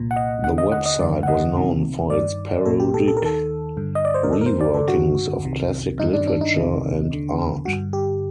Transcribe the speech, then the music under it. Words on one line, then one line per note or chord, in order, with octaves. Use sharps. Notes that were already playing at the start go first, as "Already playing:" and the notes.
The website was known for its parodic reworkings of classic literature and art.
Already playing: C2 A#2
F#5
D#5
D#2 D3 F#5
D#5
F#5
D#5
F#2 D3 D5
F#5
D#5
C2 C3 D#3
G2 D#3 D5
C2 A#2 A4
G4
A4
A4
A#4
D#2 D#3 A4
G2 D3
D#5
D5
C5
A#4
F#2 D#3 A4 A#4
C5
D5
A4
G2 D3 F#4
C2 C3 D#3
G2 D#3 D#4
D4
D4
D#4
C2 C3 D#3
D#2 D3
G2 D3 F#4
G4